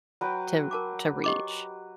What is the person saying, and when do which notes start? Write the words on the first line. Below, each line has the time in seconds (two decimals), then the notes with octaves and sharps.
to to reach."
0.21 F#3 B4 G5
0.71 A#4 A5 D6
1.24 G4 D#5 D6